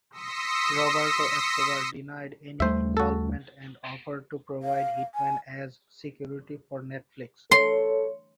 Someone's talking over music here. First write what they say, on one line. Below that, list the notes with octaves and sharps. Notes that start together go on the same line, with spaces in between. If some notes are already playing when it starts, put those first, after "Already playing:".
Roberto Escobar denied any involvement and offered to provide hitmen as security for Netflix.
C6 D#6 E6 A#6 B6 C#7
D#2 G3 A3 C5 E5
F#4 A4
F5
G#5
A4 C#5 C6